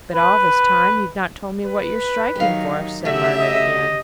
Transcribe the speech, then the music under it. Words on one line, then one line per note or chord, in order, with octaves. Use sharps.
'But all this time you've not told me what you're striking for,' said Margaret, again.
B4
B4
D#3 F#3 D#4 G4 F5
C#3 A3 F#4 G4 E5
D#5